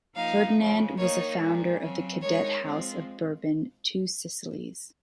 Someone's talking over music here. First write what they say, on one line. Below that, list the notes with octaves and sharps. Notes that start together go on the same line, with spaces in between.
Ferdinand was the founder of the cadet House of Bourbon-Two Sicilies.
F3 A#3 D#4 F5
C#3 F3 G#3
D#3 A#3 D#4 C#5
A#2 F3 G#3
C#3 F#3 C4
D#3 G#3 D#4 C#5
F3 G#3 C4